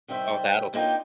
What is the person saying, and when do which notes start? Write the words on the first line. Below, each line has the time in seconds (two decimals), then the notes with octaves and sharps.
Oh, that'll do it.
0.08 C3 D#3 G3 C5 E5
0.74 A#3 C4 D4 D#4 F4 G5